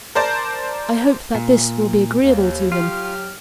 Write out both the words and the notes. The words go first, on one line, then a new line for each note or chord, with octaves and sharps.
I hope that this will be agreeable to him.
A#4 C5 D5 A5
A#2
D#2
F#3 F4 G4 F6